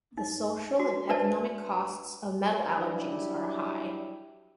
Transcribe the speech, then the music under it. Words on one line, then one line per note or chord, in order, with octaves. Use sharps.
The social and economic costs of metal allergies are high.
D#4
F#4
D4 B4 C5 D5 E5 A5
F#3 G3 D4 E4 G4